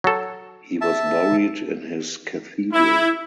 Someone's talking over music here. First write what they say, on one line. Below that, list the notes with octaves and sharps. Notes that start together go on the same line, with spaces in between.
He was buried in his cathedral.
F#3 A4
E5 A5
E4